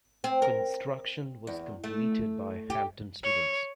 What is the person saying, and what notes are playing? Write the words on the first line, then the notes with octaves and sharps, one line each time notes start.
Construction was completed by Hampton students.
C4
A#4
E2
A3
G4
C#5